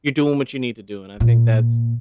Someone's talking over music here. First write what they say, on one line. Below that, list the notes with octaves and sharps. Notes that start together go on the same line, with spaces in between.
you're doing what you need to do," and I think that's
A#2